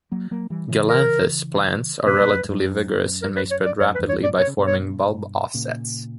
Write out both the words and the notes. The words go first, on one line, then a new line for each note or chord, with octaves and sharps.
"Galanthus" plants are relatively vigorous and may spread rapidly by forming bulb offsets.
F#3 A#3
F#3 A#3
E3 G3
C#3 E3
A#4
A#2 C#3 B4
G2 B2
F#2
G2
F#2
A#4
B4
C#5
D5
F#2 C#5
B4
E2 G2
C#5
F#2 A#2 D5
B2 C#5
C#3
G2 B2
C#5
A#2 C#3